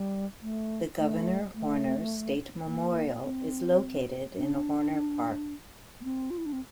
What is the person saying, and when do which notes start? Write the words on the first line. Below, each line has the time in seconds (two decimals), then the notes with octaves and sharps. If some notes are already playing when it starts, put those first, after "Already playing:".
The Governor Horner State Memorial is located in Horner Park.
Already playing: G3
0.42 A3
0.98 A3
1.55 A3
2.67 A#3
3.24 C4
4.36 D4
6.01 A#3
6.04 C4
6.30 F4
6.38 E4
6.46 D4
6.53 C4